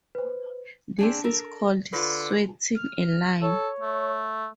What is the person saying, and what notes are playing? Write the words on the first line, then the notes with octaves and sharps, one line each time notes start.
This is called "sweating a line".
B4 C5
C4 D4 G#4
A4 A#4
D3 F4 B4
F6
A4 C#5
A3